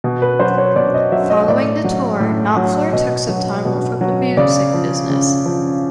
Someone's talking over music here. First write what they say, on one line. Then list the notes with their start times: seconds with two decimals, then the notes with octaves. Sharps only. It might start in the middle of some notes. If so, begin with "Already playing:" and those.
Following the tour, Knopfler took some time off from the music business.
0.04 B2
0.22 B4
0.40 F#3 C5
0.58 C#5
0.76 B2 D5
0.94 D#5
1.12 F#3 E5
1.30 D#5
1.48 A2 D5
1.84 F#3
2.20 A2
2.57 F#3
2.92 B2 D#5
3.29 F#3
3.65 B2
4.01 F#3
4.37 C#3 D5
4.74 F3
5.10 C#3
5.46 F3